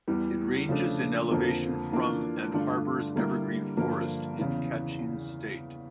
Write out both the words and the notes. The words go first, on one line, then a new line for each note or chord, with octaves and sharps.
It ranges in elevation from and harbours evergreen forest in Kachin State.
E2 E3 G3
C#3 F3 A3 D4
F2 D3 F3 A#3
E3 A#3 D4 F4
G2 D3 A3 D4 F4
D3 G3 A#3 E4
G2 D3 F3 A#3
E2 C#3 E3